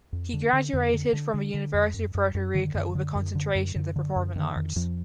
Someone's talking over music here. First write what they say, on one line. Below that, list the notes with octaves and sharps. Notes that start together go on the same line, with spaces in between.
He graduated from the University of Puerto Rico with a concentration the performing arts.
F2
D3
D3
F2 D3
D3
D3
D3
D3
F2
F#2
F#2
F#2
D3 D#3
F#2
D3
F#2
D3
F#2
F#2 D3
D3
F#2
D3 D#3
F2 D#3
F2 F3